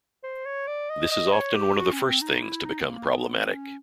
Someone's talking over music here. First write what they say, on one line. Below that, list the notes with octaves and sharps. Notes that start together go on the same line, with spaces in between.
This is often one of the first things to become problematic.
C5
C#5
D5
D#5
D#5
C#5
G4
F#4
C#4
C4
D#4
E4
D#4
B3
A#3
B3
C4
C#4